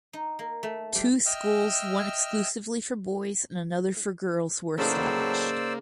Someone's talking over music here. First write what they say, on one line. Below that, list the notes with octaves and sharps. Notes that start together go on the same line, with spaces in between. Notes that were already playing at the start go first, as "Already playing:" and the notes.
Two schools one exclusively for boys and another for girls were established.
D#4
A#3
A3
G3
D#5 E5 G5 E6 F6
A2 C#3 F#3 A#3 D#4 C5 D5 E6